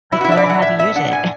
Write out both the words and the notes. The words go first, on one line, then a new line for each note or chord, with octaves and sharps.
Like learn how to use it.
E3 E4
F#4
E4
D4 E5
D5
E3 F#5
A2 E5
B3 E5
D4 F#5
A2 G#5